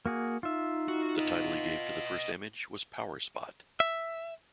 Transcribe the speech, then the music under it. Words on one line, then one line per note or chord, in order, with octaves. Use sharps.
The title he gave to the first image was Power Spot.
A#3 F#4 G#4
D#4 F4 E5
F#4
B4 D#5
E5